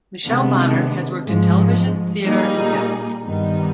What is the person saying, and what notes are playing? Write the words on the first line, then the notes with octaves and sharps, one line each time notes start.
Michelle Bonnard has worked in television, theatre and film.
C3 D#3 G#3 B3 D4
G#2 F3 G#3
A#2 G3 A#3 D#4 G#4
G2 D#3 G3 B3 D#4